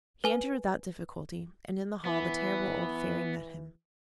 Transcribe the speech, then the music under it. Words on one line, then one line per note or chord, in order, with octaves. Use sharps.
He entered without difficulty, and in the hall the terrible old Fairy met him.
B4 G#5 G7
E3 B3